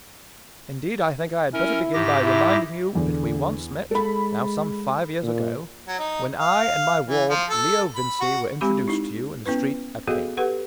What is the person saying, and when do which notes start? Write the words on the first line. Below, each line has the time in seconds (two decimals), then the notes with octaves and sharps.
Indeed, I think I had better begin by reminding you that we once met, now some five years ago, when I and my ward Leo Vincey were introduced to you in the street at Cambridge.
1.54 C#4 E4 A#4
1.93 G#2 G4 A#6
2.23 E4
2.95 E2 D3
3.91 G#3 A4 B5
5.23 A#2
5.87 F#3
5.99 D#4
6.39 F5
7.08 E3
7.29 F3
7.50 A4
7.96 B5
8.21 F#4
8.61 G#3 C4 G4 B5 D6
8.88 D#4 E4
9.46 B3 C#4 E4 B4
10.07 B3 F#4 G#4 A4 D#5 F5
10.37 G4 A4 B4 F#5